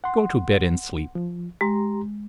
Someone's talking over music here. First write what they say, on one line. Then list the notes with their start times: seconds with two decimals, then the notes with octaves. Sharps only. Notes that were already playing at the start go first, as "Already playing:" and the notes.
Go to bed and sleep!
0.04 F#5 C6
1.15 F3
1.61 G#3 G4 A#5 C6